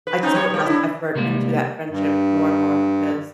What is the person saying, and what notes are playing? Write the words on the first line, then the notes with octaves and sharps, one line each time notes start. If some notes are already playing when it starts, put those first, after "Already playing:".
I just put less effort into that friendship more and more because,
B4
C4 C#4 D#4
F#3 G3 C#5
B2 G3
D4 E4
C3 G3 G#3 A#3
G2